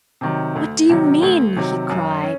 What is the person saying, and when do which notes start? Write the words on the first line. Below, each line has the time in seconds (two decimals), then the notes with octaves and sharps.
"What do you mean?" he cried.
0.21 C3 D#3 F#3
0.55 D2
0.89 C3 D#3 F#3
1.22 D2
1.56 C3 D#3 F#3
1.90 F#2
2.23 C#4